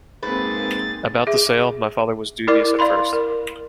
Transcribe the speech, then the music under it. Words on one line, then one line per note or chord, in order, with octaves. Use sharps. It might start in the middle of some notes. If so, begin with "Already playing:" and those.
About the sale, my father was dubious at first.
G#2 A#3 C4 G#4 B4 A6
G#4 E5
E4 A#4 D5 D6
D5 F5 B5 C6
A#4